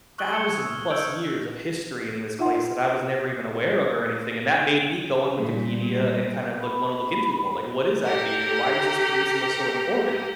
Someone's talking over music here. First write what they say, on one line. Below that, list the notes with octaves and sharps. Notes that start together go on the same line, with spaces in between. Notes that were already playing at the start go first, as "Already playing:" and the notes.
thousand plus years of history in this place that I was never even aware of or anything, and that made me go on Wikipedia and kind of look like, wanna look into it more, like, what is Iberia? Why was this peninsula so important?
C#6 D#6 E6 F#6 F#7 G7
E6 F#6 G#6 C#7 G7
F6
E6 G6 D7
D#4 F4 E5 F#5 G5 C6
A#2 G3
B5
G4 A4 A#4